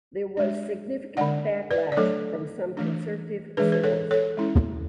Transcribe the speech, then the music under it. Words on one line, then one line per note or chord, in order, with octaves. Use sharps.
There was significant backlash from some conservative circles.
G#3 D4
D3 G#3 D4 D5 F#5
B4 D5
D5
F#3 A3 D4 A4 C#5
E3 A3 D4
E3 G#3 D4 G#4 B4
B4
A4 C#5
A4 C#5
G#3 C#4 E4